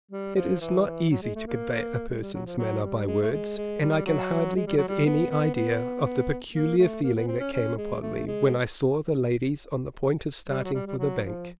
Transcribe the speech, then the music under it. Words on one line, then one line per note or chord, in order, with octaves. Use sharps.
It is not easy to convey a person's manner by words, and I can hardly give any idea of the peculiar feeling that came upon me when I saw the ladies on the point of starting for the bank.
G3
F3
E3
F#3
G#3
A3
A#3
G#3
G3
F#3
F3
F#3
G3
G#3
A3
G#3
G#3
G3
F#3
G#3
G3
F#3
G3
B3
B3
B3
B3
A#3
A3
A#3
B3
C4
C#4
C#4
G#3
A3
G#3
G3
F#3
G3
G3
F#3
F3